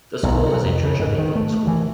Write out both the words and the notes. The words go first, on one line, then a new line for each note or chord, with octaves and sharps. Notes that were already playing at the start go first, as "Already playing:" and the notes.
The school is a Church of England school.
B1
C3
F2
C#3
G#2
D#3
A3
E3